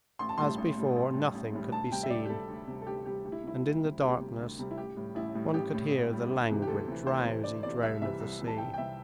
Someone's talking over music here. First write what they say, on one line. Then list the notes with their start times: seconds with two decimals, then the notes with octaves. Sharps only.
As before, nothing could be seen, and in the darkness one could hear the languid, drowsy drone of the sea.
0.19 A1 C6
0.29 A5
0.38 A2 G3 C6
0.58 A1
0.77 A2 G3
0.96 A1
1.15 A2 G3
1.34 A1
1.53 A2 G3
1.72 D2 A5
1.91 C3 G3 G5
2.03 E5
2.10 D2 D5
2.25 G4
2.30 C3 G3 A4
2.48 D2
2.67 C3 G3
2.82 A4
2.86 D2 G4
3.06 C3 G3 G4
3.25 D2 G4
3.32 E4
3.43 C3 G3 E4
3.63 D2
3.83 C3 G3
4.01 D2 G4
4.20 C3 G3
4.40 D2
4.59 C3 G3
4.71 E4
4.78 A1 G4
4.97 A2 G3
5.15 A1 E4
5.35 A2 G3
5.54 A1 G4
5.73 A2 G3
5.91 A1
6.11 A2 G3
6.30 D2
6.49 C3 E3
6.62 G4
6.67 D2 A4
6.87 C3 E3
7.06 D2 C5
7.25 C3 E3
7.44 D2 D5
7.63 C3 E3 D5
7.82 C2 E5
8.01 C3 E3 G3 E5
8.20 C2
8.39 C3 E3 G3
8.47 A5
8.58 C2 G5
8.74 G5
8.78 C3 E3 G3 E5